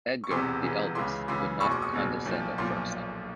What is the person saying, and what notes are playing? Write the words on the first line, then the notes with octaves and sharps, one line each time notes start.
Edgar, the eldest, would not condescend at first.
C#6
E1 E2 C3 E3 C6 D6
E1 E2 C3 E3
C#2 C#3 E3 C6 D6
C#2 C#3 E3 C6 D6
F#1 E2 B2 B5 C#6
C6 D6
C#6 D#6
F#1 E2 B2
B1 A#2 F3
B1 A#2 F3 C6 D6